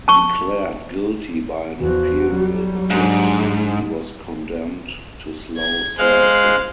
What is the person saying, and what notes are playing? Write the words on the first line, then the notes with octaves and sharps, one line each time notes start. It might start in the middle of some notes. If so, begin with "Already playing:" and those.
Declared guilty by an imperial edict, he was condemned to slow slicing.
A5 C#6
E2 F3 F#4
F#3 G3
G#2 D4
G#6
G#3 C5 F5 F#6